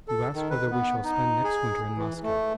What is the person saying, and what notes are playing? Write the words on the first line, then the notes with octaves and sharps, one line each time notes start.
You ask whether we shall spend next winter in Moscow.
A4
D#3
B4
B3
D#4
G#4
E3
A3